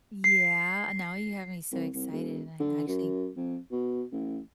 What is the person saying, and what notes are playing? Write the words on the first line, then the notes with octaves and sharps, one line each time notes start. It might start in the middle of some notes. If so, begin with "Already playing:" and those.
Yeah, and now you have me so excited, and I actually
C7
C2
C2
E1
D3
F#2
F2
B2
A1